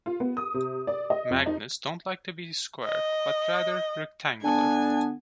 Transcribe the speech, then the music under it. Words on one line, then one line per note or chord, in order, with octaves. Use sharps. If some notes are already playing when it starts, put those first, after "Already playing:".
Magnets don't like to be square, but rather rectangular.
F4
B3
D#6
C3
D5
D#5
F2
D#4
D#5
D3 B3 D4 G#5